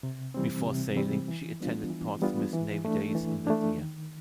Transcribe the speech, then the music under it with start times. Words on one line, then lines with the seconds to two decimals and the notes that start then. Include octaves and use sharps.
Before sailing she attended Portsmouth Navy Days in that year.
0.03 C3
0.34 E3 G3 C4
0.66 C3
0.96 E3 G3 C4
1.28 E3
1.60 G3 B3 D4 F4
1.90 E3
2.22 G3 B3 D4 F4
2.53 E3
2.85 A3 D4
3.15 E3
3.47 A3 D4
3.77 D#3